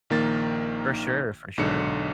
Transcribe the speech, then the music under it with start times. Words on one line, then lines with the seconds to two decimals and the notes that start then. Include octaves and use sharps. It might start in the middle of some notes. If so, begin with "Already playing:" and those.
For sure, for sure.
0.10 A#1 D#3 A#3 A6
1.58 B1 G#2 D3 C#7